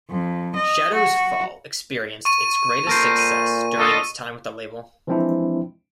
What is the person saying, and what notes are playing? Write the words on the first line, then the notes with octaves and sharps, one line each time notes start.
Shadows Fall experienced its greatest success during its time with the label.
F2
D#5
F#4
C#6 D#7
A#2 A4 A#4 C5
D#7
D3 D4 F4 A4 D#5
E3 F3 G#3 C4 D4 E4